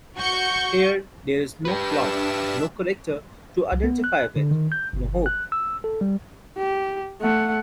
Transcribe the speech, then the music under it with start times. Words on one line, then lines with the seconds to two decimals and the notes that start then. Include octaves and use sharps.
Here there is no plot, no characters to identify with, no hope.
0.16 F#4 C#6 G6 C#7
1.65 D4 G4 B4 E5 E7
3.72 C2
3.84 B3
4.04 F#6
4.36 D3
4.51 D#3
4.72 G6
4.93 G1
5.26 F#6
5.52 E6
5.84 A4
6.01 G3
6.57 G4
7.21 A3 F#5